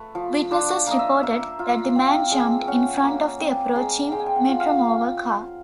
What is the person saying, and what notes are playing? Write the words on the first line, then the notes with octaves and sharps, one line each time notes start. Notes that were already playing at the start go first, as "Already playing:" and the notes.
Witnesses reported that the man jumped in front of the approaching Metromover car.
Already playing: A3 B4
F3
D4 C5
A#3 D#5
E5
A#3
F4
C4
G#3
C#4 F#5
A#3
C4
G#3
G#3 G5
G#5
G5
F#5
F4
F5